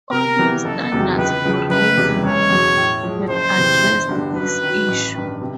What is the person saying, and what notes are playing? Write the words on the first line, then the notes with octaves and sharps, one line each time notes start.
All new standards for rail mounts have addressed this issue.
C3 A#4
E3 G3 B3
F#1 A4
E2 C3 D#3 F#3
C#2 B4
C#3 F3 G#3
F#1 B4
E2 C3 E3 G3
F#1 C#5
E2 B2
A2
F3 G#3
F#1 C5
E2 C3 E3
G1
G2 D3 G3
F#2 B4
D#3 F#3
A1
G2 D#3
C3